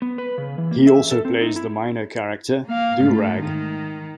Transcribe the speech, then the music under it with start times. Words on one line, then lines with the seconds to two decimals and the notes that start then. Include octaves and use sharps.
He also plays the minor character Doo Rag.
0.02 B3
0.18 B4
0.38 C#3
0.58 E3
0.71 A#3
0.87 E5
1.11 A4
1.25 C4
1.41 D#4
1.56 E4
2.67 A#3 F5
3.02 G#2 A3
3.41 D#3